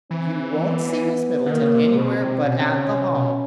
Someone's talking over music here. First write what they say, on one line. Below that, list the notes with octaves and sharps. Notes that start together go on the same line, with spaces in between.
"You won't see Miss Middleton anywhere but at the Hall."
E3 C4
B3
D3
D#3 A#3
C#3
C3
C3
B2 C4
C3
B2 C#4
C3
C#3
C3
B2